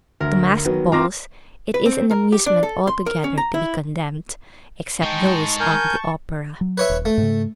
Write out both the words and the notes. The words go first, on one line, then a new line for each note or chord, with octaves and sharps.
As to masked balls, it is an amusement altogether to be condemned, except those of the Opera.
D2 A#4
D#3 F#3 B3
C4 F4 A#5 D6 A#6
B4
C4
A#4
G4
D4
A4
C6
A#4
C#4
A#5
E4
G#3 D#4 G5 A5 C#6
A#4 G#5 G6
F#3
B4 C#5 E5
D#1
A3
G#2 C#3